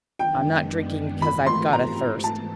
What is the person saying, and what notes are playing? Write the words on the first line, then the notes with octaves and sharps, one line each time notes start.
"I'm not drinking because I've got a thirst."
F#2 D#3 G#3 B3 D4 G5
G#2 E3 A3 C4 B5
C6
A#5
G#2 E3 B3 A5